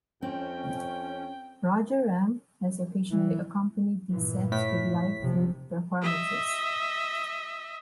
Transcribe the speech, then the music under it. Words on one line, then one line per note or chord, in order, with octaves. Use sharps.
Raja Ram has occasionally accompanied these sets with live flute performances.
F2 C4 C#4 G5
E3
G2 A#2 E3
A2 B6
F1 C3 F3
D#5 E5